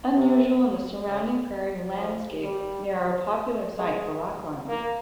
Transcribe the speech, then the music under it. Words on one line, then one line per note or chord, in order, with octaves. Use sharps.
Unusual in the surrounding prairie landscape, they are a popular site for rock climbing.
C3
C#3
F3
G3
G#3
A#3